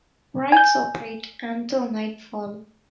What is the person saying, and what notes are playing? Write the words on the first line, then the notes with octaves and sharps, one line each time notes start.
Rides operate until nightfall.
G#5 G6